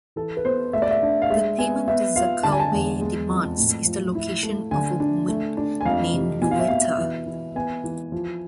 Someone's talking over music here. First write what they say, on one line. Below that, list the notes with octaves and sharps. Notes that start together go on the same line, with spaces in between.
The payment that Zakalwe demands is the location of a woman, named Livueta.
E3 A4
B4
B3 C5
A3 E5
D5
E5
D4
F5
G#3 E5
B3 G#5
B3 E5
F4 F5
D3 A5
G#5
A5
E2
G#3
F2
A2
F3
E4
A3
D3 G#5
D4
A3
D4
G#5
F2 F5
C3
B2 G#5
F5
E5
B2 F5
E3
E3
B3 G#5
E3
F3